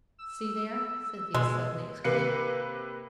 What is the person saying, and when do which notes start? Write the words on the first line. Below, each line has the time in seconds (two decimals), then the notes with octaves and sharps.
"See there!" Cynthia suddenly exclaimed.
0.19 E6
1.35 B2 G#3
2.04 C3 A#3 B4 C7 C#7